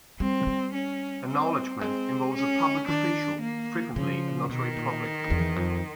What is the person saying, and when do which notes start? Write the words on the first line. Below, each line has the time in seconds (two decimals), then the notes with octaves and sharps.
Acknowledgement involves a public official, frequently a notary public.
0.20 G3 C4
0.47 G3
0.74 C#4
1.28 C4
1.81 G#3 C4
2.35 C#4
2.88 D#3 D4
3.42 A#3
3.96 C#3 F3
4.49 B2 D#3
4.76 A#2
5.30 E2
5.56 F2